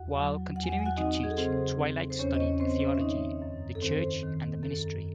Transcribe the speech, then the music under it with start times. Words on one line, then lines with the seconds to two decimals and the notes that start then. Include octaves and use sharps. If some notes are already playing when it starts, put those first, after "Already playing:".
While continuing to teach, Twilight studied theology, the church and the ministry.
Already playing: E2 F#4 F#5
0.15 F#3
0.56 E2 F#5
0.63 G#5
0.71 F#5
0.79 G#5
0.86 F#4 F#5
0.97 C4 D#4 D#5
1.24 G#4
1.30 A4
1.37 C#3 C4 C5
1.79 C4
2.10 C5
2.19 E2 C#4 C#5
2.34 D#5
2.40 C#4 C#5
2.60 C4 C5
2.80 C#4 C#5
2.95 E5
3.01 D#3 D#4 D#5
3.42 F#2
3.75 A4
3.82 D#3 C4 C5
4.23 D#3
4.63 F#2 A4